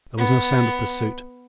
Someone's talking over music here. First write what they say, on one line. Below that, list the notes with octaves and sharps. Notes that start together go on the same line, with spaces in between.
There was no sound of pursuit.
B3